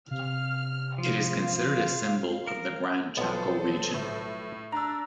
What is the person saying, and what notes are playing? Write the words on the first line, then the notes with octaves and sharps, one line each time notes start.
It is considered a symbol of the Gran Chaco region.
C3 F5 F6
F3 F4 F5
A#4
B1 F3 B3 A4 C5
A2
D4 A#5 E6